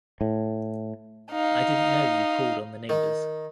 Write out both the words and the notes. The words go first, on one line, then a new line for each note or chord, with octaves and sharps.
I didn't know you called on the neighbours.
A2
D#4 F5
D#3